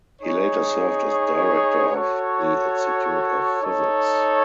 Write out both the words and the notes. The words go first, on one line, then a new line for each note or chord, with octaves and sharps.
He later served as director of the Institute of Physics.
D#4 G#4 C#5
F#4 A4 C#5
D#4 A4 C#5